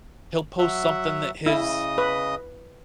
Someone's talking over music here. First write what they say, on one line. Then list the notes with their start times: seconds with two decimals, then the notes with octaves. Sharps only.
he'll post something that his
0.59 F#3 E5 F#5
1.46 C#3 E4 D#5 D#6
1.98 B4